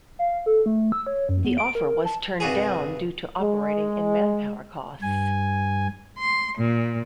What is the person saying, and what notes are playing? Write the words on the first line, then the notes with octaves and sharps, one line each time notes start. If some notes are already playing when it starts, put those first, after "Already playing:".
The offer was turned down due to operating and manpower costs.
F5
A4
A3
E6
C#5
F#2
B3
D7
A#4
A5
C2 G2 F#4 G#4
G#3
G2 G#5
C6
A#2